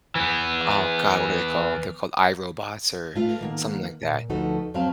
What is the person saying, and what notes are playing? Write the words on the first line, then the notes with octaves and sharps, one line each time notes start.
oh, god. What are they called? They're called iRobots or something like that.
E3 B3
A3 F4 B4 F5
D#3 A#3 B3
A#2
D2 F3 D#4 F#4 A4 B4
F2 F#3 C4 B4 F5 A5